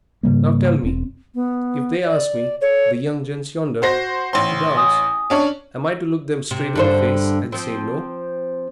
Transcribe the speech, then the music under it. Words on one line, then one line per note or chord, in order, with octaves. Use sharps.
"Now tell me, if they ask me, the young gents yonder, to dance, am I to look them straight in the face and say no?"
G#2 C#3 G3 A#3
E1 C4
B3
D5
A4 C#5
F#4 C5 A#6
A1 C5 G5 C6
G#5 D#6
C#4 D4 C#5
C3
G2 D3 C5
F3 C4